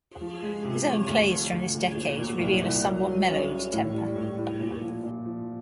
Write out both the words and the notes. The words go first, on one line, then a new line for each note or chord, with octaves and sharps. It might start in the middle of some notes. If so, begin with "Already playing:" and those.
His own plays from this decade reveal a somewhat mellowed temper.
F3
G#3
C3
F3
D2
F3
D2
D2
A#2
A#2
C2
C2
F#3
F#3
C#4
C#4
A2
G3
A2
A2
A#2
F3
A#2
F3